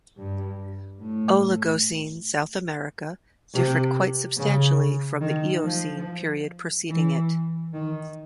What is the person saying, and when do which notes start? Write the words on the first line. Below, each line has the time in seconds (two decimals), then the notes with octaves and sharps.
Oligocene South America differed quite substantially from the Eocene period preceding it.
0.17 G2
1.01 A2
3.54 C3
4.37 C#3
5.21 D#3
5.64 F3
6.90 E3
7.73 D#3